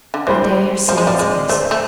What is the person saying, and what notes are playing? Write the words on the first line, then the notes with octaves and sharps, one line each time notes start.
I dare say it's best.
D3
E3 C5
F3 C5
G#3
F3 D5
G#3
D5
A3 C5
A3